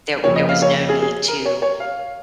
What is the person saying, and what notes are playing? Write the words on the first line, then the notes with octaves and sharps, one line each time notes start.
There there was no need to
F2 C#3 A#3 C#5
D#5
F5
C#5
G#4
G#4
A#4
C#5
C#5
F5